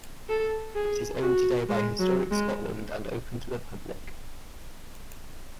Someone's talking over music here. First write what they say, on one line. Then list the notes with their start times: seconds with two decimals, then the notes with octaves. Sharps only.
It is owned today by Historic Scotland and open to the public.
0.29 A4
0.75 G#4
1.22 F#4
1.69 G#3
2.00 F#3
2.31 G#3